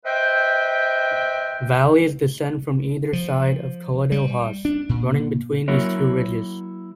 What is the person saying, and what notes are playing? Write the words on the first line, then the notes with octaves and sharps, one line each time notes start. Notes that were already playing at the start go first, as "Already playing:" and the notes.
Valleys descend from either side of Coledale Hause, running between these two ridges.
B4 C5 D#5 E5 G5
F3
G3
D4
A#2
F#3 A#3 E4 F#4 A#4 C#5